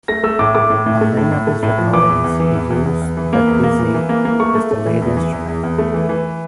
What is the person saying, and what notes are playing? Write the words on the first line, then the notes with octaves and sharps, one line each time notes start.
On many of his recordings he uses the "dizi" as the lead instrument.
A3 A#6
A3 E6
A2 D6
A3 D6
A2
A2
A3
A2
A2
A3
A2
F3
E3 D6
E2
E2
E3
E2
E2
E2
E2
E3
A#3
E2
A#3
E3
E3
A#3
A#3
A3 C#6
A3
A3
E3
E2
E3
E2
E2
E2
A3
E3
E3